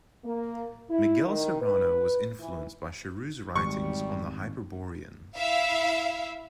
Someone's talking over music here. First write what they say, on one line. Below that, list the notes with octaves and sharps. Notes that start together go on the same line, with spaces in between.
Miguel Serrano was influenced by Charroux's writings on the Hyperboreans.
A#3
E4
D#3
B4
E3
G#1 G3 C#6
E4 E5 F5